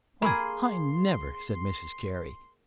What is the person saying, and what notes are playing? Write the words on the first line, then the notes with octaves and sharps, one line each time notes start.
"Well, I never," said Mrs Carey.
A#3 G#4 B5 C6